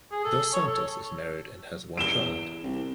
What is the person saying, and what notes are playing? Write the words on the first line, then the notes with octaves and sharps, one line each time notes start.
Dos Santos is married and has one child.
G#4
A4
C#5
A4
E2 D7 E7 G7
C2